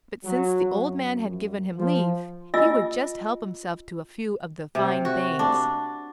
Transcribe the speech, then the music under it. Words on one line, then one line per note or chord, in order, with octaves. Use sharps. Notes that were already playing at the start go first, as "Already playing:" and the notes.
But since the old man had given him leave, he would just help himself to a few of the fine things.
F#3
F#2
F3
F4 D#5 G#5 E6
C3
F#4
D4